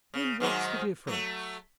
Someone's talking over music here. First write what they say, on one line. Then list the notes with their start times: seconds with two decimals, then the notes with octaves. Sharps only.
"Then what's the difference?"
0.14 C#3
0.40 G#2 D#3 F#3
1.07 F#3 A3